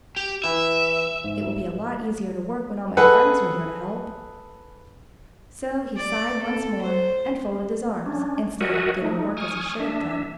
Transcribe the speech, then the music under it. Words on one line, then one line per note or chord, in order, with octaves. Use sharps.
It will be a lot easier to work when all my friends are here to help,' So he sighed once more and folded his arms, instead of beginning work as he should have done.
G4
E3 E4 E5
G#2
G#4 A4 B4 D#5 F#5
D5
A4
C5
C#4 D4
F#4 A#4 D#5 E5 F#5 G#5
A3 D#4
G#5 C#6 D#6 F6
D4 E5